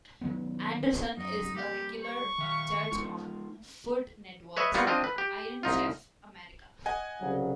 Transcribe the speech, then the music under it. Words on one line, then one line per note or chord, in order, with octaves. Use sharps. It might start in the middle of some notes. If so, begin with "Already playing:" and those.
Anderson is a regular judge on Food Network's "Iron Chef America".
D#3 F#3 B3
F#2 D#4
G3 A#3 G4
C#6
D#3 E5 F5
G#3 D#4 F4
B4 C#5 D#5 E5
G3 A#3 B3 F4 F#4
C4 D4 F4 D#5
B4
G4
C2 D#4 F4
D#5 F#5 G#5
C2 C#3 F#3